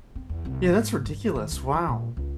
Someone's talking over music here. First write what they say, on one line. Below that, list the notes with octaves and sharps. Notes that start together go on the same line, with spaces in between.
Yeah, that's ridiculous. Wow.
C4
E2
C2
G#2
G2
D#3
C#2
F3
A#2
C#2